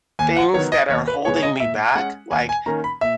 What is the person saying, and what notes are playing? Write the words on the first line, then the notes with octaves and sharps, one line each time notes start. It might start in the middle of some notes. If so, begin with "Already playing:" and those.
things that are holding me back, like,
D#2 G#5
F#5
D#3 F#3 B3 C#5
D#5
D#2 C#5
B4
C#3 G#3 B3 C#5
C#5
D#5
A#2 E5
G#3 C#4 F#5
D#2 G#5
G#5
D#3 A#3 C#4 A#5
B5
A#2 E5